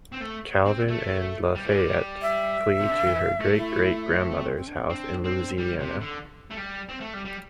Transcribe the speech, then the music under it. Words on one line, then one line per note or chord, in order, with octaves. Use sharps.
Calvin and LaFayette flee to her great-great-grandmother's house in Louisiana.
C4
A3
C4
A3
G3
E3
G3
E5
C3
D3
E3
A3
E4
C4
C4
D4
C4
C4 D4
C4
G3
C3
D3
A3
G3
C4
A3
G3
G3